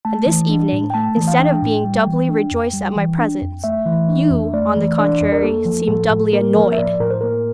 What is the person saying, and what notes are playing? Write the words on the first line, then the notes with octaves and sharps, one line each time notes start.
And this evening, instead of being doubly rejoiced at my presence, you, on the contrary, seem doubly annoyed!
A3 A5
E3
D4
A2
G5
A3 A5
E3
F5
D4 G5
A2
G3
E3
D4
F2
G3
E3
D4
F2
A3 E5
E3
D4
F2
A3 D5
E3
D4 D5
F2
A#4
A#3 A4
F3
A2 A4
A2
A#3 A#4
F3 A#4
E5
A2 D5
A2 A#4
C5
A#3 A#4